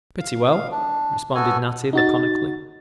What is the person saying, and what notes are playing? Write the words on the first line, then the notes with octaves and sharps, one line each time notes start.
"Pretty well," responded Natty laconically.
F5
F5
D4
B3 F#4 A4 G#5
D#4 F#4 A6